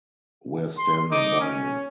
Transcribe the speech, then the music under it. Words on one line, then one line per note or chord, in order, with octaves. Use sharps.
We're standing by him.
C6
D#4 D6
C#4